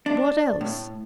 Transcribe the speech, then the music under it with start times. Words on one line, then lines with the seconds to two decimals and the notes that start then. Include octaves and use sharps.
"What else?"
0.06 D4
0.61 A2